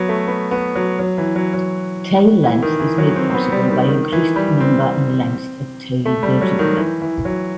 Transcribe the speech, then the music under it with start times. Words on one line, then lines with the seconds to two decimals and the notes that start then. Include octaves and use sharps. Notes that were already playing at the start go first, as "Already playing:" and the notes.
Tail length is made possible by increased number and length of tail vertebrae.
Already playing: F#3 B3
0.09 A3
0.27 B3
0.51 B3
0.75 F#3
0.99 F#3
1.18 E3
1.36 F#3
1.53 F#3
2.43 E3
2.62 D#3
2.80 E3
2.98 F#3
3.16 C4
3.30 C4
3.34 B3
3.52 G3
3.70 D#3
3.89 D#3
4.12 E3
4.36 G3
4.60 C4
6.05 A3
6.23 G3
6.41 F#3
6.59 D#3
6.77 E3
7.02 E3
7.25 F#3